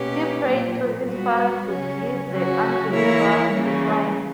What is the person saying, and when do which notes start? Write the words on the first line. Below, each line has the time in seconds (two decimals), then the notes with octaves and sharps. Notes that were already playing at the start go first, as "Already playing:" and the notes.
He prayed to his father to give the unbelievers a sign.
Already playing: B2 A#3 C#4 G4 B4
0.46 A#2 F#3 A#3
1.08 G3 B3 F#4
1.68 C#3 F#3 C#4
2.30 C#3 F#3 C#4 F#4
2.91 E3 A#3 E4 A#4 C#5
3.52 C#3 E3 G3 A#3